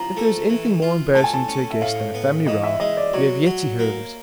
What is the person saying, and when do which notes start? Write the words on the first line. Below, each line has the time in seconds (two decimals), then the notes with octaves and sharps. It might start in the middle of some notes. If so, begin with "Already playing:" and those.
If there is anything more embarrassing to a guest than a family row, we have yet to hear of it.
Already playing: F3 A#5
0.17 A3
0.49 E3
0.82 F4
1.15 A3 A5
1.24 G#5
1.34 A5
1.48 C#4
1.71 E5
1.81 A2 F5
2.14 B3
2.47 E3 D#5
2.64 E5
2.80 G#3 D#5
2.97 D5
3.13 F#3 C#5
3.46 F#3
3.79 A#3